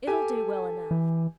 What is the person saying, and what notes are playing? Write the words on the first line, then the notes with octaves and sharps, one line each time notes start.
'It'll do well enough.
G4 A4 G#5
E3